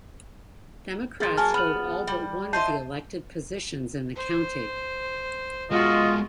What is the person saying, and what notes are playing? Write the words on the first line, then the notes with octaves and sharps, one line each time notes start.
Democrats hold all but one of the elected positions in the county.
F3 A#3 G#4 A6
F#3 A#3 A#4 G#5 A5 F6
B3 B5 F6 F#7
G3
D#4 F4 C5 E5 A5 G6 C7
C5
G#3 B3 F4 F#4 D#5